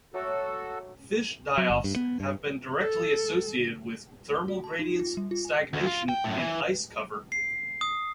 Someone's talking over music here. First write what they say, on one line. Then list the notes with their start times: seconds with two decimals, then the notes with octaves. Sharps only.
Fish die-offs have been directly associated with thermal gradients, stagnation, and ice cover.
0.14 F#3 A3 F#4 A4 D6
1.58 F#3
1.70 G1
1.84 G2
1.96 B3
2.20 G2
2.80 A4
4.35 G7
4.48 F#4
4.64 A5
4.79 D#4
4.99 F4
5.17 G3
5.31 F4
5.45 G#5
5.73 D2
5.86 F4
6.09 G5
6.24 F#2 A2
6.39 E3
7.32 C7
7.81 D#6